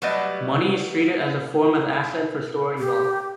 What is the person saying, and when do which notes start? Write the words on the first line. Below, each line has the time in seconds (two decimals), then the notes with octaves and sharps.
Money is treated as a form of asset for storing wealth.
0.02 F#3 G3 A3 B4 D5 D#5
2.78 G4